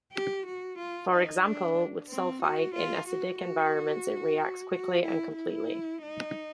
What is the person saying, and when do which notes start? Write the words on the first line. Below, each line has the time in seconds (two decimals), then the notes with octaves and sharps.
For example, with sulfite in acidic environments it reacts quickly and completely.
0.12 G4
0.46 F#4
0.78 F4
1.11 D#4
1.44 D4
2.10 C4
2.42 F#4
2.75 F4
3.08 F#4
3.41 F#4
4.71 F#4
5.04 E4
5.37 E4
6.02 D#4